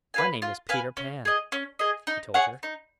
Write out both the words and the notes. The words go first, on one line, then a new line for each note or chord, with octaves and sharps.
"My name is Peter Pan," he told her.
B4 F5 G#5
F4
B4 F5 G#5
C#4
G#4 D#5
C#4
G#4 D#5
D#4
G#4 C#5 F#5
D#4